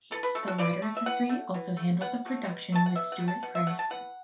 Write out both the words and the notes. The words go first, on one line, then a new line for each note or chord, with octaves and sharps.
The latter of the three also handled the production with Stuart Price.
E3 A4
B4
A3 A4
F#4
E3 D5
A3
E5
E3 F#5
A3
E3
A3
B2 F#5
F#3 A3
B2
F#3 A3 A5
F#5
B2 E5
F#5
F#3 A3
A5
B2 F#5
E5
F#3 A3 F#5
A5
E3 F#5